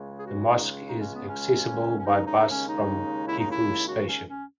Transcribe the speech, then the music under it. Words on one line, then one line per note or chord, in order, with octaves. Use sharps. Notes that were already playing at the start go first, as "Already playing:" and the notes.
The mosque is accessible by bus from Gifu Station.
Already playing: C#2 C#3 G#3
G#4
F#4
D#4
D#4
C#4
B3
C#4
C#4
D#2 C#3 G#3 D#4
D#4
D#4
C#4
D#4
E4
D#4
E4
F#4
C#4
C#4